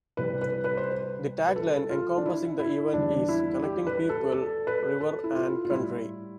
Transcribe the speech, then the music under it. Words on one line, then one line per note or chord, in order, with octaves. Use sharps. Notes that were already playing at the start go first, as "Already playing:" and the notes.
The tagline encompassing the event is 'Connecting People, River and Country'.
C2 C3 G3 B4
B4
B4
C5
B4
B4
A4
F4
D4
E4
E4
E2 D3 G3 D4
E4
G4
B4
A4
A4
B4
A4
E4
F4
F4
A2 G3 E4